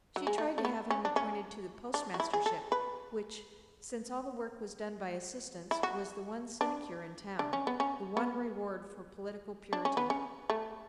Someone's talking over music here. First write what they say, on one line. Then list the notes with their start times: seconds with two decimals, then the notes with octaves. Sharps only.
She tried to have him appointed to the postmastership, which, since all the work was done by assistants, was the one sinecure in town, the one reward for political purity.
0.16 F#3
0.27 G#3
0.38 A3
0.58 A3
0.65 B3
0.90 C#4
1.05 D4
1.16 C#4
1.94 D4
2.14 F#4
2.20 E4
2.33 G#4
2.46 A4
2.72 B4
5.71 E4
5.83 F#4
6.61 D4
7.39 D4
7.53 C#4
7.67 B3
7.80 C#4
8.17 B3
9.73 D4
9.85 C#4
9.97 B3
10.10 C#4
10.50 A3